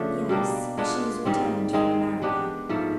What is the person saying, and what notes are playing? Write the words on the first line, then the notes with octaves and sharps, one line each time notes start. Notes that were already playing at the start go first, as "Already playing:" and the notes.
"Yes; she has returned from America."
Already playing: C#3 F3 A3 D4
B2 G3 A#3 D4
G#3 B3 D4 F4
G#2 D#3 G3 C4
D#3 G#3 C4 D#4
G#3 B3 D4 G4
G#2 F3 A3